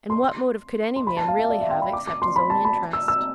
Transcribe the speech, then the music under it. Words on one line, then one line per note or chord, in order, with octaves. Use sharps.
And what motive could any man really have, except his own interest?
C6
C6
B5
A5
F5
E5
D5
E5
G5
B5
D6
D6
C6
B5
A5
B5
E6
E6